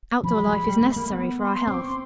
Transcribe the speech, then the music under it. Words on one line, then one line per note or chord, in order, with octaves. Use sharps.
Out-door life is necessary for our health.
F3 B5
F#3
G3
G#3
G3
A3
A#3
B3
C6
C4
D6
C#6
C6